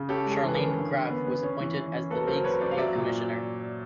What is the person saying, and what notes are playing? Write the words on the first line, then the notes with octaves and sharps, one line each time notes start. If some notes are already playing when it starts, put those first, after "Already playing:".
Sharleen Graf was appointed as the league's new commissioner.
Already playing: C#3
C#4 G4 A4
G#3
G#4
E3 B4
G#4 A#4
C#4
D3
D3
B3
B3
C#4
E3
E3
C#4
A#3 A4 B4
F#3 A#4 C5
F#3 B4 C#5
C#4 C5 D5
F5
F#3 D5 E5
A#2